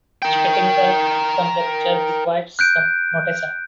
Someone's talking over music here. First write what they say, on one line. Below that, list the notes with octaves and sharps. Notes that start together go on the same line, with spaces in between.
Stating the conjecture requires some notation.
A#4 G5
F#6 G6 D7